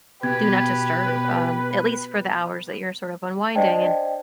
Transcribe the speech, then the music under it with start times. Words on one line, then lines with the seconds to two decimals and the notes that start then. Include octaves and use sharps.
Do Not Disturb, um, at least for the hours that you're sort of unwinding and
0.23 B2 B3 G4 B4 G#6
3.55 D4 C5 D5 D#5 G5 A5